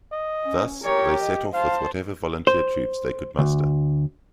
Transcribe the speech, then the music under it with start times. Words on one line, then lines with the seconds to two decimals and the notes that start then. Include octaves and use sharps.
Thus, they set off with whatever volunteer troops they could muster.
0.12 D#5
0.45 C#4
0.84 G4 A#4 C#5
1.22 D#5
1.53 C5 F5 A5
2.47 C5
3.39 D2